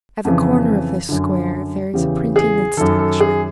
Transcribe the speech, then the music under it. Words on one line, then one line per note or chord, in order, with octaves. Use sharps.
At the corner of this square there is a printing establishment.
F2 C#3 E3
F#2 D3
E2 C#3 E3 G4
G#4
F#2 D#3 A4
A4
G#4